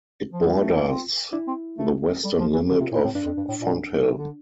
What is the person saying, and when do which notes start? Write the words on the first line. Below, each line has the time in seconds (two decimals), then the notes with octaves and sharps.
It borders the western limit of Fonthill.
0.33 F3
0.41 G3 F4
0.60 A3
0.74 A#3
0.88 C4
1.32 D4 E4
1.47 C4
1.78 A3
2.23 G3 A4
2.40 F3
2.54 E3
2.69 D3 G4
2.80 C3 F4
2.92 A#2 E4
3.04 A2 C4
3.15 G2 D4
3.26 F2
3.37 G2
3.48 A2
3.61 A#2
4.06 C3
4.18 D3